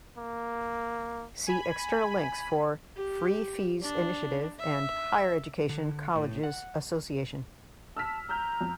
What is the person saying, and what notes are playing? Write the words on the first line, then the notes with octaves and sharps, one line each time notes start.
See external links for: "free-fees initiative" and "Higher Education Colleges Association".
A#3
G#5 B5
G4
D4
E5
D3
A2
F#5
A5 E6 F6 B6
A#5 E6 F6 G6
F2